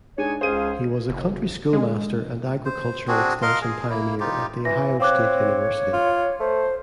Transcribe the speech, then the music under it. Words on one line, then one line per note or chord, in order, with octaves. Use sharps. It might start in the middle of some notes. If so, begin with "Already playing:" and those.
He was a country schoolmaster and agriculture extension pioneer at The Ohio State University.
G#3 D4 D#4 C#5 G#5
C#2 C#4 G#4 C5 F5 D#7
F#1
G#3
C5
C4 D4 F#4 G#4
A#4 D#5 F5 C6
G#4
A#3 E4
D#4 F4 G4
E3 A#6
C4 C#5 F5 D6 F#6
F4
A3 C5